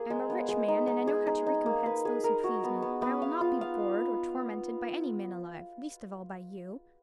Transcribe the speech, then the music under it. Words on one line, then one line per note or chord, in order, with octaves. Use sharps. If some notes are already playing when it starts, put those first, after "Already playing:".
I am a rich man, and know how to recompense those who please me: but I will not be bored or tormented by any man alive: least of all by you.
Already playing: A#3 G#4
G#3
B3
G#3
D#4
D#4
G#4
D#4
D#4
A#3
B4
G#4
A#4
F#4
B3
B3
B3
F5
F4
F5